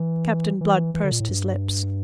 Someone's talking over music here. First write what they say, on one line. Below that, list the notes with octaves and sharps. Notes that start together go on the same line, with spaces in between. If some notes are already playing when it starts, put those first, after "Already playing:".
Captain Blood pursed his lips.
Already playing: E3
E3
E3
D3
A#2
A2
G2